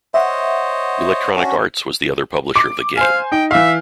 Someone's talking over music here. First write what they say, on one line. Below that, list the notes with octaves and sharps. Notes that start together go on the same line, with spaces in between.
Electronic Arts was the other publisher of the game.
C5 C#5 D#5 E5 F#5
C#4 D4 F#4
D6
C5 F5 G#5
D#4 G5
E3 E5 F5